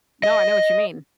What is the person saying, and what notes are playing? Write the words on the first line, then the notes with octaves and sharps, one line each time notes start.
No, I know what you mean.
D#5